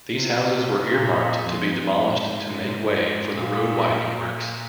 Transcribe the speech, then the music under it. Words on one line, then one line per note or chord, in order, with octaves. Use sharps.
These houses were earmarked to be demolished to make way for the road-widening works.
C3
A#2
F2
G#2
A#2